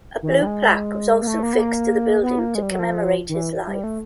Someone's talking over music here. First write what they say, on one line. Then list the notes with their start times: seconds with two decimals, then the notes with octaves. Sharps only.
A blue plaque was also fixed to the building to commemorate his life.
0.23 D#3
0.30 E3
0.43 G3
0.47 G#3
1.22 A#3
1.27 A3
1.43 A#3
1.53 B3
1.59 A#3
2.23 B3
2.39 A#3
2.55 G#3
2.62 G3
2.71 F#3
2.79 F3
3.29 D#3
3.35 E3
3.67 G3
3.84 A3